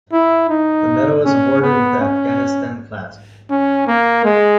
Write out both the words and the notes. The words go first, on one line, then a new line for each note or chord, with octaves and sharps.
The medal is awarded with the "Afghanistan" clasp.
E4
D#4
C#4
B3
C#4
C#4
A#3
G#3